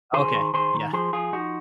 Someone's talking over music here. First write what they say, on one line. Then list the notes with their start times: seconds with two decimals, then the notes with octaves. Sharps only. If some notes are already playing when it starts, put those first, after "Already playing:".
Okay, yeah.
0.13 D#3 G#4 C5
0.34 D#3
0.54 D#3 G#4 C5
0.74 D#3
0.93 F3 G#4 C5
1.13 F3 F4 G#4
1.33 F3 D#4 F#4